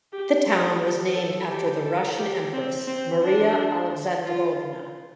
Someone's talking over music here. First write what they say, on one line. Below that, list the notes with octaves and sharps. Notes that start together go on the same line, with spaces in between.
The town was named after the Russian empress Maria Alexandrovna.
G4
A4
G4
A4
G4
A4
G4
C4
C4
D4
F4